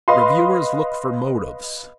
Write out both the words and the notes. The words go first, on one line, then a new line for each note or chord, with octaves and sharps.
Reviewers look for motives.
B4 D#5 F5 B5 C6